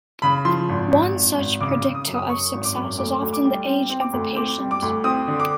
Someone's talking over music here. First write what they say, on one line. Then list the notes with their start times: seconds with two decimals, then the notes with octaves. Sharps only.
One such predictor of success is often the age of the patient.
0.22 C#3 B5
0.45 F3 C6
0.69 G#1
0.91 G#1
1.15 G#1
1.38 G#1
1.60 C#3 D6
1.83 C#3
1.95 D#6
2.07 F#2
2.14 D#6
2.29 F#2 C#6
2.53 G#1
2.64 D6
2.76 F#2
2.98 D2 D6
3.22 D2
3.33 D6
3.45 G3
3.67 C4
3.90 C4
4.01 D6
4.13 D2
4.35 C4 D6
4.59 G3
4.71 D6
4.82 D2
5.04 C4 D#6
5.28 D3
5.40 D6